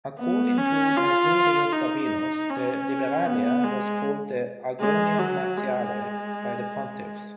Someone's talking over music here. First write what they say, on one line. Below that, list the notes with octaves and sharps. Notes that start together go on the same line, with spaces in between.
According to Masurius Sabinus, the Liberalia was called the "Agonium Martiale" by the pontiffs.
B3
C#4
F4
D#4
C#4
B3
G#3
G#3
F#3
G#3